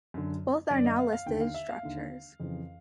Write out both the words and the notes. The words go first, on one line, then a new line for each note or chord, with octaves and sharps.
Both are now listed structures.
F#2 D3
F#2 D3 D5
D#5
F5
F5
D#2 D3 G5
F5
E5
F5
D#2 D3
F2 C#3 E3